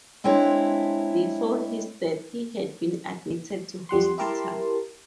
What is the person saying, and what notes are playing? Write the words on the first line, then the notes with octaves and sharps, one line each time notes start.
Before his death, he had been admitted to hospital.
G#3 C4 D4 E4 C#5
F2 G3 F#5 C6
E4 G4 A#4 A5 C6